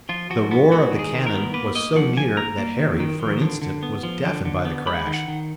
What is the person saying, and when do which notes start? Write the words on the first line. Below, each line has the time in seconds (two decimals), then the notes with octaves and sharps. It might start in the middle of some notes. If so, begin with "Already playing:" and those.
The roar of the cannon was so near that Harry, for an instant, was deafened by the crash.
0.09 F3 F4
0.30 F3 F#4
0.51 B3 F#4
0.72 G#3 F#4
0.92 D#3
0.99 G#4
1.13 D#3
1.27 A#4
1.33 B3
1.54 A#3 B4
1.75 A#3 D#5
1.96 F3 F#5
2.17 F3 G#5
2.37 A#3 A#5
2.58 A#3
2.79 D#3
3.00 D#3
3.20 F3
3.41 D3
3.62 D3
3.83 B3
4.03 F3
4.24 D3
4.45 D3
4.65 B3
4.87 G#3 B5
5.07 D#3
5.14 F#5
5.28 D#3